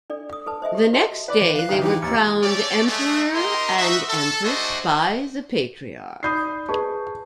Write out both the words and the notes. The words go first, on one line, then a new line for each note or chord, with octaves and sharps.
The next day, they were crowned Emperor and Empress by the patriarch.
D4 A4 D5
D#6
A4 B4 A5
C5 D#5 E5 G#5
G4 A4
F#4 A#4 D#5 E5 A5 C6
B4 D5
E3
F5 F#6
D2 D#3
E3 D#4 E4 G4
D#2 A6 C#7
A3 C#4 C#5 D5
G#3 A3
D#4 G4 A#4 D#5 C6
D#4 F#4 E5
A4
G#3 A3 D4 F#4 C5 D#5
D#4 D5 B5 D#6 G6 C7
G#4 B4 A5 C#6